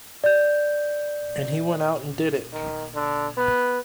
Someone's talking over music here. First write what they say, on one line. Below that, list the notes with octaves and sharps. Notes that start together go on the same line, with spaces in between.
And he went out and did it.
D5 G6
D#3
D3
B3